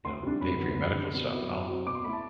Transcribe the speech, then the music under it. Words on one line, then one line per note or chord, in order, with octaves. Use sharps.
you know, pay for your medical stuff and all.
D2 C6
C3 G3 D4
F#2 B5
D3 F#3 B3
F#2
D3 G3
B2
F#3 B3 E4
F#2
F#3 C4
B2 D6
C6
A3 E4 A5 B5